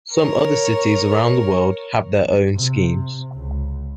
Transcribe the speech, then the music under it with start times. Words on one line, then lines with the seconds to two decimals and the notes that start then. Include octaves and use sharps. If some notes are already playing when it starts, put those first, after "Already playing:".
Some other cities around the world have their own schemes.
0.11 A#4 C#5
2.54 C3
3.34 C#2